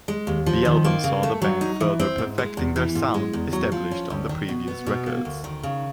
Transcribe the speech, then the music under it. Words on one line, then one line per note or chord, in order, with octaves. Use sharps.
The album saw the band further perfecting their sound established on the previous records.
G#3
D#2
F3
D#3
A#3
C#3
A3
F#3
D#4
E3
C4
G#2
G#3
E2
E3
G#2
G#3
E2
F#3
F3
C#4
D2
D#3
B2
B3
B2
A#3
D2
D#3
C#3